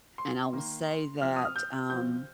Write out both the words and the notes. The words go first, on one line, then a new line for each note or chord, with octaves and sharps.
And I will say that, um
C6
D#3 A#3
C3 F3 C4 F6
D#6
F6
G6
C3 F3 C4 G6